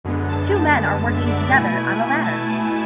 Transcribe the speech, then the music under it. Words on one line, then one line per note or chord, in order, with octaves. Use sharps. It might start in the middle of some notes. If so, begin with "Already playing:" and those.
Two men are working together on a ladder.
F#2 D3 G#3 B3
A5
E5
D5
E5
B2 A3 E4 G#5
A5
A5
A5